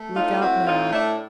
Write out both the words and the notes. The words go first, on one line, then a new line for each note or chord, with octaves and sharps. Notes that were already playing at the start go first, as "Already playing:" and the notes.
Look out now.
Already playing: A3
A2 D#4 F4
C4 E4 F#4
A2 D#4 F4
A3 D4 E4